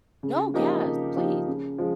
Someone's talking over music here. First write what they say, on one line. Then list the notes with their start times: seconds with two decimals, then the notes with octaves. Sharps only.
No, yes, please.
0.23 C#3
0.54 F3 A#3 D#4 G4
0.85 C#3
1.16 F3 A#3 D#4 G4
1.47 C#3
1.78 F3 G#3